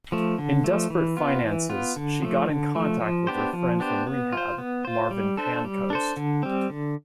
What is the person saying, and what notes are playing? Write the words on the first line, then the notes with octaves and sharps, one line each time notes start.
In desperate finances, she got in contact with her friend from rehab, Marvin Pancoast.
F3 A3
D3
F3 A3
E3
B3 F4
E3
B3 F4
D3
F3 A3
D3
F3 A3
F3
B3 D4 G4 C5
F3
B3 D4 G4 C5
B3
F4 C5
B3
F4 C5
G3
D4 A4 C5
G3
D4 A4 C5
D3
G3 C4
D3